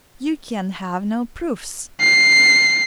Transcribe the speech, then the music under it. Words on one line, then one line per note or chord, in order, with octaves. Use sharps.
You can have no proofs.
C7